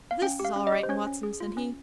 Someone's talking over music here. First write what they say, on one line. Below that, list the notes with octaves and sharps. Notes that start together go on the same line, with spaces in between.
"This is all right, Watson," said he.
F5
C#4 G5
G4
F5
C#4
D#5
G4
C5
C#4 C#5
C#4
G#4
F4
C#4